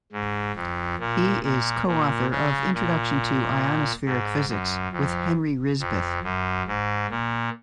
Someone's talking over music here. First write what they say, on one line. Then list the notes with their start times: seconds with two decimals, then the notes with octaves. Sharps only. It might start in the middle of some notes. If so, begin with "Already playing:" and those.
He is co-author of "Introduction to Ionospheric Physics" with Henry Rishbeth.
0.12 G#2
0.56 F2
1.00 A#2
1.43 A#2
1.87 A#2
2.30 C#3
2.74 A#2
4.05 G#2
4.49 F#2
4.92 F2
5.80 F2
6.23 F#2
6.67 G#2
7.11 A#2